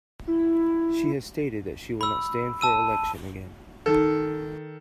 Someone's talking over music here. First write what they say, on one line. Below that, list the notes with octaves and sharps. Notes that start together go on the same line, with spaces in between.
She has stated that she will not stand for election again.
E4
B5 E6
A5 E6 D#7
D#3 A4